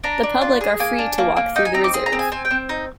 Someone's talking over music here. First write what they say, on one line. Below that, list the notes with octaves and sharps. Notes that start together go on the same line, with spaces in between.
The public are free to walk through the reserve.
D4 A#5
D4
F4
G#4
A#3 G#5
D4
A#3
A#3
D#4 G5
G#5
C4 A#5
D6
G#4 C6
A#5
C4
G#5
C4 G#5
G5
C4
D#4